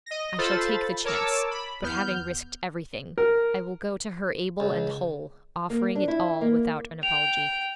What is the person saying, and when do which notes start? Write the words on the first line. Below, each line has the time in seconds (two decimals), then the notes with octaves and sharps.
'I shall take the chance; but having risked everything, I will go to her able and whole, offering it all without an apology.'
0.06 D#5 A#6
0.38 F4 A4 C5 B5 A6
1.04 A#4 C#5 A5 D6 E6
1.51 B5
1.82 E2 B3 F6 G6
3.18 A#4
4.60 C#2
5.70 A#3
5.95 D4
6.08 E4
6.41 A#3
7.03 G5 F7